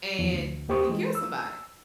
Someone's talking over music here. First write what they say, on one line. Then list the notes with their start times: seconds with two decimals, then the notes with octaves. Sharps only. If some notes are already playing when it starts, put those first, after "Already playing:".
and he killed somebody.
0.19 E2 F3
0.33 D2
0.68 D#2 A#3 G4 C5 C#6 D#6
0.89 E3 G#3
1.15 E6